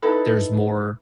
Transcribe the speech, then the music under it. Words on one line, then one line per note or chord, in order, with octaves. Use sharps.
there's more,
D#4 E4 A4 B4